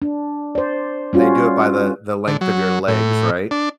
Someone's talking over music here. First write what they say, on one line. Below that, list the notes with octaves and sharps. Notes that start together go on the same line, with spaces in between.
they do it by the the length of your legs, right?
D4
C5 D5
G3 C#4 F4 F#4
D3
F#3
A2
D4